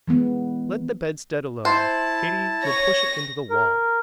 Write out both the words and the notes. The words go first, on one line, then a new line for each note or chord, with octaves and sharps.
Let the bedstead alone, Katy, you'll push it into the wall.
E3 G#3 B3
E4 C5 A5
C#5 A#6
A#4